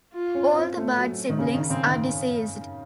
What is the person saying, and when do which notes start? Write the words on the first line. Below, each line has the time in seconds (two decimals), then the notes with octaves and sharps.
All the Bard siblings are deceased.
0.14 F4
0.35 C#4
0.56 C4
0.77 A3
0.97 F#3
1.30 D#3
1.39 C#3
1.55 D#3
1.70 C#3 C4
1.86 D#3